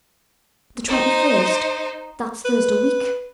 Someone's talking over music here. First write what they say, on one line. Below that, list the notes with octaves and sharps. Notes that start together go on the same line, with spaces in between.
'The twenty-first--that's Thursday week.
D#4 C5
B4